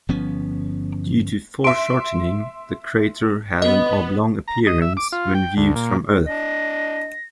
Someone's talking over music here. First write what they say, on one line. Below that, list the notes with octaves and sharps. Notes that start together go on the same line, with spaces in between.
Due to foreshortening, the crater has an oblong appearance when viewed from Earth.
G1 F3 B3 C#4
E5 C6 D7
B3 D#5
A#5
D#5
E5
D6
F4
G5
D2
A#2
D4 D#5 A#6